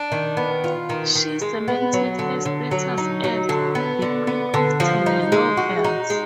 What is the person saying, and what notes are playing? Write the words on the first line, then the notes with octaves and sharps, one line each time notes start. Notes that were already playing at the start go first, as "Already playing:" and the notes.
She cemented her status as "the Queen of Telenovelas".
Already playing: D4
D#3
B3
F4
D#3
D#3
G#3
B3
F#3
D3
D3
F#3
D#4
F#3
D3
B3
D3
B3
D3
F3
D#4
G#3
F#4
D#4
G#3